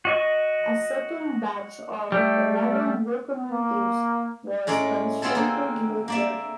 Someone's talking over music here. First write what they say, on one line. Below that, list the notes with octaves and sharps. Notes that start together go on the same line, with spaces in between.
A second batch of eleven locomotives was constructed later.
F#4 D#5 C#6
G3 A3
A#3
A2 G#3 C#4 D5 A#5
B3 C4 F4 G#4 A4
D3 A#3
A#3 D5 E5